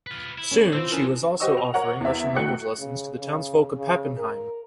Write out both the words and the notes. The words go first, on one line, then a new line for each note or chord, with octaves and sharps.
Soon she was also offering Russian language lessons to the townsfolk of Pappenheim.
F4 B4
E4
B3 C#4
E3 C4 F4 C5 E6
C4 C#4 A#4 A5
F#4 G4 C5 D#5 C#6 E6
F7
A#4 C#5 F#5
E2 E5
A1 A3 F#4 G5 F#6 C#7
C#3
C#3
C#3
A#4